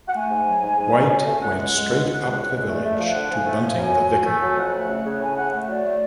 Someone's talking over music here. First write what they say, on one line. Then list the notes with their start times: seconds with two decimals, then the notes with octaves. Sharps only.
White went straight up the village to Bunting the vicar.
0.08 F#5
0.15 A3 G#5
0.31 G#2
0.46 F#3
0.62 G#2
0.78 G#2
0.94 G#2
1.10 F#3
1.26 A3
1.41 C#2 F#5
1.57 G#3
1.73 G#3
1.89 C#2
2.05 C#2
2.20 G#3
2.36 C#2
2.52 G#3
2.68 A3 D5
2.84 A3
2.99 F3
3.10 F#5
3.15 D3
3.31 F3 G#5
3.47 A3
3.63 F3
3.78 F#2
3.94 F#3
4.10 F#3
4.26 A3
4.41 F#3
4.57 F2 F#5
4.74 A3
4.89 C#3
5.05 C#3
5.20 A2 G#5
5.36 A2 F#5
5.52 A3 F#5
5.68 F#3 D5
5.84 A3